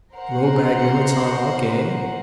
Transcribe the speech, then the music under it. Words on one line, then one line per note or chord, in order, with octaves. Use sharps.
Low bag limits on all game.
A#4 C5 F#5